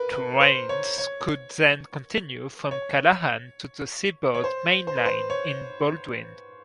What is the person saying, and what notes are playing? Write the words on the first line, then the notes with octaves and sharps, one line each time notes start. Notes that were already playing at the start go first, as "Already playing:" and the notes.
Trains could then continue from Callahan to the Seaboard main line in Baldwin.
Already playing: A#4 B4
B4
C5
C#5
C#5
C#5
C#5
C5
C5
B4
C5
C#5